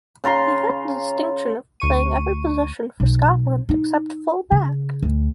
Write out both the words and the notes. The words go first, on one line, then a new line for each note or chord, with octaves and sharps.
He had the distinction of playing every position for Scotland except Full Back.
C#3 F4 A#5 C6
D2 C#6 D#7
B1
D#4
C#3
D2